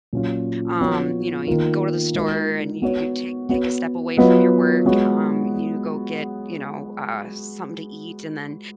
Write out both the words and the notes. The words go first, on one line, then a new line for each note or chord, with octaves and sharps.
um, you know, you go to the store, and y you take take a step away from your work, um, and you go get, you know, uh, something to eat. And then,
A#2 F#3 C#4 F4
F3 B3 F#4 C#5
D#3 A#3 F4 A#4
G#3 D#4 F#4 A#4 D#5
B3 F#4 C#5
B3 F#4 C#5
F#3 B3 F4 B4 D#5
G#3 B3 F#4 C#5